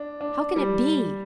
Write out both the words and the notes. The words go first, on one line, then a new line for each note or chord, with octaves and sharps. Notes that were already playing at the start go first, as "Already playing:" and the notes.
How can it be?
Already playing: D4
D4
G3